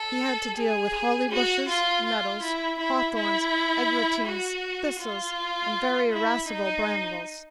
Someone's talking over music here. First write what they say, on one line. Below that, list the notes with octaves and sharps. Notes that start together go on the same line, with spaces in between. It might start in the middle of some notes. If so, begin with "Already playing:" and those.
He had to deal with holly bushes, nettles, hawthorns, eglantines, thistles, and very irascible brambles.
Already playing: A4
G#4
F#4
F4
F4
E4
E4
E4
F#4
F4
E4
D#4